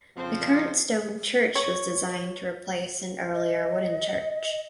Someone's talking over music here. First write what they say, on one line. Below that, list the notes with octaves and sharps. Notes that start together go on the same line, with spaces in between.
The current stone church was designed to replace an earlier wooden church.
F2 C#3 F3 C4
C#5
D#5